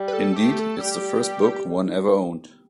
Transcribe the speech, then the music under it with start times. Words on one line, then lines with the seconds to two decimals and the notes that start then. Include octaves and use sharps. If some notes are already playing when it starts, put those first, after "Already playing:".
Indeed it's the first book one ever owned.
Already playing: G3
0.08 B4
0.13 A4
0.36 A3 G4
0.59 A4
0.81 G3 G4